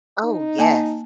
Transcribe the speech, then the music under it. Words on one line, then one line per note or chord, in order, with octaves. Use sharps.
Oh, yes.
D#4
A#3 G#5 A5